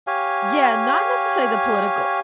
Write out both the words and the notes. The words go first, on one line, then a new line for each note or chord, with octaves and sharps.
Yeah, not necessarily the political.
G4 C#5 F5 G#5